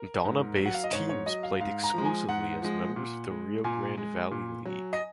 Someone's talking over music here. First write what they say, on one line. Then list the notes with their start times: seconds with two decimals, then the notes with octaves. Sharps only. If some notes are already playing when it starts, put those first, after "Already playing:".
Donna based teams played exclusively as members of the Rio Grande Valley League.
Already playing: A#4
0.24 G#2
0.58 F#3
0.66 F#5
0.74 F5
0.84 D#5
0.93 G#2 C#5
1.09 C#5
1.26 F#3 D#5
1.43 F5
1.60 G#2 F5
1.84 A#5
1.94 F3 G#3
2.05 G#5
2.29 G#2 F#5
2.62 F3 G#3
2.96 A#2
3.30 G#3
3.64 A#2 G#5
3.98 G#3
4.31 A#2
4.66 F#3
4.93 D#5